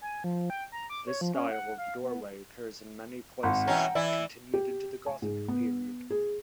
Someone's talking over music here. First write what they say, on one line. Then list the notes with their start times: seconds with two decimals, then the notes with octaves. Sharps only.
This style of doorway occurs in many places and continued into the Gothic period.
0.02 G#5
0.24 F3
0.50 G5
0.72 A#5
0.90 D6
1.07 C#5
1.21 F3
1.34 C#4
1.51 F#5
1.78 F5
2.03 B3
3.43 G#1 F#5
3.68 B2 E3 C#4 G5 A#5
3.95 E3 E4 D5
4.54 G4
5.06 G#5
5.22 G#2
5.48 B3
6.10 G#4